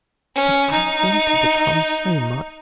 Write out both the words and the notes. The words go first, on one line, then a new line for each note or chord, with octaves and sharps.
But I wanted to come so much.
C#4
D#4